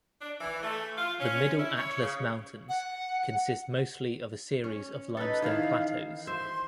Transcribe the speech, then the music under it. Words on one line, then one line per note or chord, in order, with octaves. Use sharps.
The Middle Atlas Mountains consist mostly of a series of limestone plateaus.
D4
E3
A3
F4
C#4
E4
C#5
C#3
F#5
C#4
D#4 A4 B4
D#3 E3 F5
C5 E5 C6